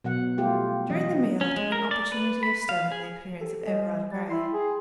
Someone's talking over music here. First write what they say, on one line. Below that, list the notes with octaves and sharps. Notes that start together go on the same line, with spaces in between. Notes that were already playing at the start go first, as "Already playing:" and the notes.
During the meal I took an opportunity of studying the appearance of Everard Grey.
B2 F#3 F#5
G3 A3 F4 G4
E3 F#3 C#4 D#5
C#4
G#3
A#4
D5
B4
B5
F5
G#4
G4 A4
G3 D#5 G#5
G3 A6
E4 G5 C6 C7
G#4